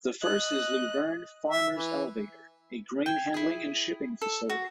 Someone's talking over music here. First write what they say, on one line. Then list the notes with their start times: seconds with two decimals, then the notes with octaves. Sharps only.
The first is Luverne Farmers Elevator, a grain handling and shipping facility.
0.22 D#5 F#6
1.49 E5
1.75 E3
3.06 G5 G#5
3.34 E4 G#4
4.22 A4
4.49 F#4